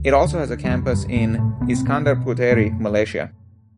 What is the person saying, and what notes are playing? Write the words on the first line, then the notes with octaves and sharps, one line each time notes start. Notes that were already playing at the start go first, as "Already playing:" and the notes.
It also has a campus in Iskandar Puteri, Malaysia.
Already playing: D2
D3
G3
C2 F#2 F#3
G2 G3
C2 A2 A3
A2 A3
C2 B3
C4
B2 B3
B2
F#2 A2 A3